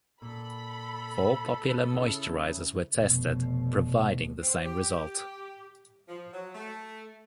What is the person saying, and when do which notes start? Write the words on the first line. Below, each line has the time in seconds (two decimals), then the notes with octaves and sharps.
Four popular moisturizers were tested, providing the same result.
0.22 A#2 A4 B5
1.94 C#3 E4
2.97 F1 B2
4.41 C4
4.66 G4
6.08 F3
6.33 F#3
6.55 A3